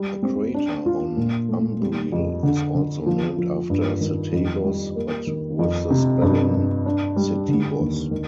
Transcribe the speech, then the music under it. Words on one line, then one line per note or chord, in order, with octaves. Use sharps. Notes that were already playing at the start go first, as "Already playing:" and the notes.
A crater on Umbriel is also named after Setebos, but with the spelling Setibos.
Already playing: G3
C4
D4
F4
A#2
A3
G3
F2
D3
D3
F3
F3
G2
D#3
F2
G3
A#3
D#3
F2
C3
G2
G2
D4
G3
D3
D#2
D#3